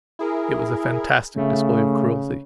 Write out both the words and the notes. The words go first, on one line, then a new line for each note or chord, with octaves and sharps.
It was a fantastic display of cruelty.
E4 G#4 A#4
C#3 A3